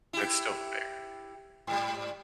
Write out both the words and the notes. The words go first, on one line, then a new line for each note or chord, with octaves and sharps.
It's still there.
E4 G4
G#2 G3